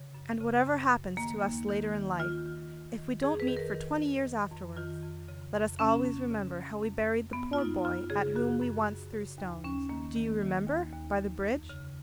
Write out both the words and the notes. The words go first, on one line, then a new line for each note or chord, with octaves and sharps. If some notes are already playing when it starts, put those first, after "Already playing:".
And whatever happens to us later in life, if we don't meet for twenty years afterwards, let us always remember how we buried the poor boy at whom we once threw stones, do you remember, by the bridge?
Already playing: C#3
F#2
C#3
F#2
F#2
D#3 A#3
D#2
D#3
D#3
D#3 F4
D#3
D#3
D#3
F2 G#4
B4
D#3
A#4
D#3
F2
D#3
F2
D#3 F4
F2
C#3
F2
C#3 C#4
F2
C#3
F2
F2
F2
F#2 B3
F4
F#2 D#4
F#2 F4
C#3 G#4
F#2 F#4
F#2
F#2
C#3
D#2
D#2 C#4
D#3 A#3
D#3
D#3
D#2
D#2
D#2
F2
C#3